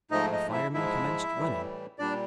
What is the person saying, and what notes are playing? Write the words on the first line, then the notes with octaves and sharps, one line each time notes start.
A fireman commenced running.
G#2 F3 A3 D#4 D#5
D#4 D#5
E4 E5
G#2 F3 G#3 E4 E5
A2 E3 G3
A#2 G3 D4 D5